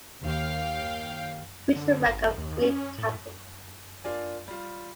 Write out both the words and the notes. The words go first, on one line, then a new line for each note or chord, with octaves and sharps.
He reached the rank of group captain.
D#2 F5 G5
D3
G#1
D#2
C#4
A2
A#3 D4 F4 D5 G#5
G3 F4